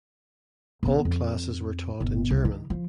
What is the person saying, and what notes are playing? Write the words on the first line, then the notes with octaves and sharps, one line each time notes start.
All classes were taught in German.
B1 B3
F2
G1 B2
C2
D#3
F3